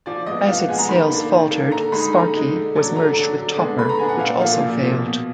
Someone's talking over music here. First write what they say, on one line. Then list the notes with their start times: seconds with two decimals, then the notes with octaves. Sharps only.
As its sales faltered "Sparky" was merged with "Topper" which also failed.
0.06 F3 D5
0.26 G#3 B3 D#5
0.47 F3 F5
0.58 F#5
0.68 G#3 B3 G#5
0.78 A#5
0.89 D#3 B5
1.10 A#3 D4
1.30 D#3
1.51 A#3 D4
1.72 D3 A#5
1.92 G#3 D#4 B5
2.13 D3 A#5
2.33 G#3 D#4
2.55 D3
2.75 F#3 D4
2.96 D3 A#5
3.17 F#3 D4
3.37 D3
3.57 G#3 B3 D4
3.79 D3 B5
3.89 A#5
3.98 G#3 B3 D4 G#5
4.09 F#5
4.19 A#2 F5
4.41 F3 A#3 F5
4.61 A#2
4.82 F3 A#3
5.02 B2